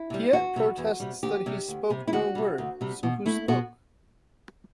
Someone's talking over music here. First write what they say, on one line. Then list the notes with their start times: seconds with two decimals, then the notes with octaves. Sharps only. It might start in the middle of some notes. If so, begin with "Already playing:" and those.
Piet protests that he spoke no word, so who spoke?
Already playing: E4
0.10 C3 G3
0.33 E2 F#4
0.56 C3 G3
0.77 E2
1.00 C3 G3
1.23 D2 G4
1.46 C3 G3
1.68 D2
1.90 C3 G3
2.07 E4
2.13 D2 F#4
2.35 C3 G3
2.58 D2
2.81 C3 G3
3.03 B2
3.26 A3 E4
3.48 B2 F#4